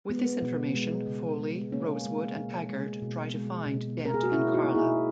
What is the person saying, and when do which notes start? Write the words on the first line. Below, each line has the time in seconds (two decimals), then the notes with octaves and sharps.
With this information, Foley, Rosewood, and Taggart try to find Dent and Karla.
0.10 G#3 B3
0.42 B2
0.75 G#3
1.07 C#3
1.39 G#3
1.72 C#3 A#3 C#4
2.05 G#3
2.37 B2
2.69 G#3
3.02 B2
3.35 G#3
3.66 B2
4.00 A#3
4.05 A#4
4.14 G#4
4.23 F#4
4.32 B2 C#4 E4
4.53 D#4 F#4
4.64 A#3
4.75 E4 G#4